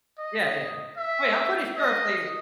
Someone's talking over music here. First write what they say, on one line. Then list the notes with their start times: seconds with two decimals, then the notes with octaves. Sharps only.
Yeah, yeah, oh, yeah, I'm pretty sure if they
0.18 D#5
0.97 E5
1.76 D#5